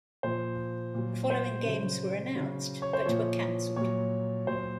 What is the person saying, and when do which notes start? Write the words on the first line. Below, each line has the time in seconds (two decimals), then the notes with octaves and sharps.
The following games were announced, but were cancelled.
0.23 A#2 F3 C5
0.94 A#2 F#3
1.30 C5
1.65 C#3 F#3
2.36 C#3 F#3
2.82 C#5
2.93 C5
3.06 A#2 F3 C#5
3.76 A#2 F#3 C#5
4.47 A#2 F#3 C5